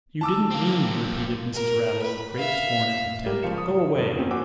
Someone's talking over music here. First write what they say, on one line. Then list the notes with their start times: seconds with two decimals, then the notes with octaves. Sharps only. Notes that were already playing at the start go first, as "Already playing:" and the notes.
'You didn't mean!' repeated Mrs. Raddle, with great scorn and contempt. 'Go away.
0.21 A5 D6 E6
0.50 A#3 C4
1.53 A#4
2.02 B4
2.36 E5 F5
3.26 G3 G4 A#4
3.43 C#2 F3 F5 C#7 E7
3.58 D#6
3.94 F2
4.18 F2 B2 A#3 C4 C#4 D#4
4.31 F#4 C5 F#5 G#5 D6 E6